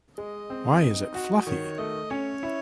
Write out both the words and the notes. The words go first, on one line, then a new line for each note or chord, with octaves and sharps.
Why is it fluffy?
G#3 D#5
C4
D#4
F#4
D#3 C#5
A3 D#5
C#4 C#5
E4